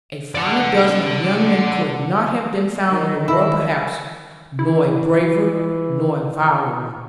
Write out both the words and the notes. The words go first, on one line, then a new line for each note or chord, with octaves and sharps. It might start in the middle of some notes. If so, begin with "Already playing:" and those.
A finer dozen of young men could not have been found in the world perhaps, nor a braver, nor a viler one.
D5 F#5
D#3
E4
E3 E4